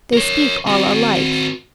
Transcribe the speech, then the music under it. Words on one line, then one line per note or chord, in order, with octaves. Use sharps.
They speak all alike.
A#4 C#5
C4 F#4